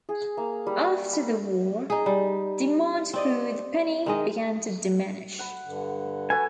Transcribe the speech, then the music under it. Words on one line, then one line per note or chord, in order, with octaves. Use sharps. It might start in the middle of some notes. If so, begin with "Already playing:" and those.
After the war, demand for the penny began to diminish.
G#4
A#3
G3
B5
D#4 G#4
G3
C4 D5 D#5
D#3 G#3 D#5
F#5 B5
G2 D3
F#4 A4 B4 G#5